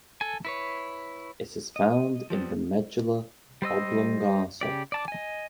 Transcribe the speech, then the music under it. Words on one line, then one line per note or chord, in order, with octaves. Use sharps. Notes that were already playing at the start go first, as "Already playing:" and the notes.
It is found in the medulla oblongata.
A4 G#5
E4 B4 C#5
D#5
F3 G3 B3 C4
G3 C5 D#5 E6
C#3 G4 D5
D5 A5 D6
D#5 G#5